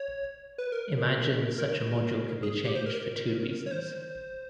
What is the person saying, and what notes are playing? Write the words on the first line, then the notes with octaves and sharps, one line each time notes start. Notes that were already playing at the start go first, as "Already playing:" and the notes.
Imagine such a module can be changed for two reasons.
Already playing: C#5
B4
A#4
A#4
G#4
G4
C5
A#4
C#5
C5